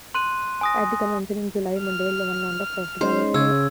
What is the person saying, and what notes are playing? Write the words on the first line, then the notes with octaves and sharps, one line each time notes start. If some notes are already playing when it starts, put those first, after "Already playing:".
At the convention in July, Mondale won on the first ballot.
C6 F#6 D#7
G#5 D#6 A#6
F6
G#3 C#4 D#4 C5
C#3 E6 G#6